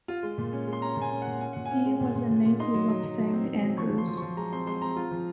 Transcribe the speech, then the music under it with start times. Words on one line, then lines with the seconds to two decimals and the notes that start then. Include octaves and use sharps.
He was a native of Saint Andrews.
0.08 F4
0.23 G#3
0.38 A#2
0.52 C#4
0.67 G#3
0.73 C6
0.82 C#4 A#5
0.96 A#2
1.02 G#5
1.12 C#4
1.22 A#2 F#5
1.41 C#4 G#5
1.53 A#2 F#5
1.65 G#5
1.71 C#4
1.86 G#3
2.01 A#2
2.15 A#2
2.30 A#2
2.45 A#2
2.60 D#4 C6
2.74 F#3
2.89 F#3
3.04 F#3
3.19 F#3
3.33 C4
3.48 F#3
3.64 F#3
3.78 F3 C#6
3.93 F3 C6
4.07 F3
4.17 F3 C#6
4.37 G#3 A#5
4.52 C4 C6
4.67 G#3 C6
4.82 C4 A#5
4.96 F4
5.11 F3